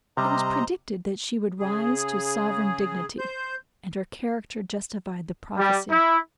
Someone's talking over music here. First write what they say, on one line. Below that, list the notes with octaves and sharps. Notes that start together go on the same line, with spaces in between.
It was predicted that she would rise to sovereign dignity; and her character justified the prophecy.
C3 G3 C5 D#5 A#5
C#3 G#4
C5 G6
G3
E4